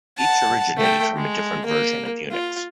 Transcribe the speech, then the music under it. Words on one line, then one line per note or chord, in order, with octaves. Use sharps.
Each originated from a different version of Unix.
F#5 A5
A3 G5
G#3
A#3
F4